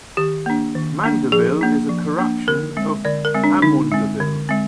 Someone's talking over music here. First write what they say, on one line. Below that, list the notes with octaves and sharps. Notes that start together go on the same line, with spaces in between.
"Mandeville" is a corruption of "Amundeville".
D#3 G4
A#3 D4
D#3
A#3 D4
F3 G#4
A#3 D4
F3
A#3 D4
D3 A#4
G#3 C4
D3 D5
A#4
G#3 C4
D4
D3 D#4
G#3 C4
D3
G#3 C4